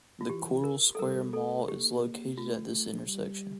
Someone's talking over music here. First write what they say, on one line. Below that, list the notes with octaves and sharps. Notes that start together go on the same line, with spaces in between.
The Coral Square mall is located at this intersection.
F4
E3 G4
A#4
A4
G3 A#4
A3 A4
A#3 G4
A3 F4
G3